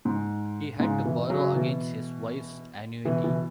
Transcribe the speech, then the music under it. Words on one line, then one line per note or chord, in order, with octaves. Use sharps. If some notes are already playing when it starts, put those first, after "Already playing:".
He had to borrow against his wife's annuity.
G#2
G#2 C#3
B2 E3
C#3 F#3
B2 E3
B2 E3
B2 E3